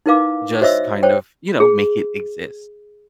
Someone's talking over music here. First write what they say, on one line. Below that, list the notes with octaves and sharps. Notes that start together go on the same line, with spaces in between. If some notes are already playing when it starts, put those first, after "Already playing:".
just kind of, you know, make it exist.
D#4 E4 A#4 B4 F5 D6
F#4 C5 C#5 D#5 E5 E6
C5 C#5 G5
G#4